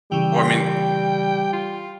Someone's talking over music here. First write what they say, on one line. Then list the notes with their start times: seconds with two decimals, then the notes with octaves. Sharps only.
well I mean,
0.12 C#3 E3 G3 G5
1.53 F4